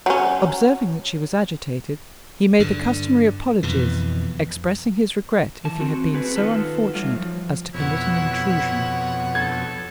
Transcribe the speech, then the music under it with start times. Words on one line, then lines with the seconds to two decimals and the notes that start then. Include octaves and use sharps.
Observing that she was agitated, he made the customary apologies, expressing his regret if he had been so unfortunate as to commit an intrusion.
0.06 F#3 C#4
2.59 G2 D3
3.63 F2 B2 E3
5.65 E3 A5
5.80 C4 F#4
6.14 C4 F#4 G#4 B4
6.36 D#3 D#4 F4 F#4 A4 B4
6.95 F#3 G3 A3 F4
7.15 F3
7.74 F2 B2 E4 C#5 F#5
9.35 A4 G#6